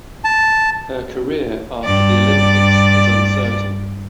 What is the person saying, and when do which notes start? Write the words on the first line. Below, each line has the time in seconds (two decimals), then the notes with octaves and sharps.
Her career after the Olympics is uncertain.
0.24 A5
1.84 G2 D5